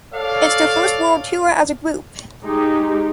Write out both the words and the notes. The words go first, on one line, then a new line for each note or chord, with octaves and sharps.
It’s their first world tour as a group.
A4 C#5 D5 F5
G#3 D#4 G4